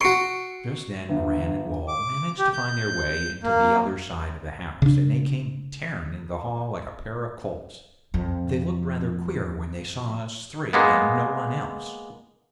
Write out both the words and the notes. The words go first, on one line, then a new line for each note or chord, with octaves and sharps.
Just then Moran and Wall managed to find their way into the other side of the house, and they came tearing into the hall like a pair of colts. They looked rather queer when they saw us three and no one else.
F#4 C6 C#6 C#7 D7
G1
D6
G4
G6
A#3
C#3 D4
F2 F3
G#3 A#3 B3